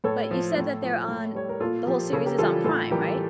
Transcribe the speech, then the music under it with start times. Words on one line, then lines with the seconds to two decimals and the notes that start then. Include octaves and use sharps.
But you said that they're on the whole series is on Prime, right?
0.04 A2 A4 C#5
0.31 F3
0.57 A2
0.82 F3
1.08 A2
1.35 G3 C#5
1.49 A#4
1.60 A#2 F4 A4
1.86 F3 G4 A#4
2.12 C#3 A4 C#5
2.26 G4 A#4
2.38 E3 G3 F4 A4
2.64 A2 F4 A4
2.91 E3 G3 G4 A#4